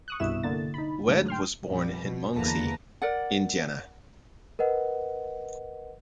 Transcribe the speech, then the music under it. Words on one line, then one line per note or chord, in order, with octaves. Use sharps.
Wead was born in Muncie, Indiana.
C#6 D#6 F#6
C2 G2 B2 E4 E5 E7
D3 A#3 A6
D#4 B5
G#2 D3 F#3 A3
G5 C6 F6
F2 A#2 G3
B2
E2 D3 A#3 B4 A5 A#5
A#4 D5 F#5
A#4 B4 D#5 F#5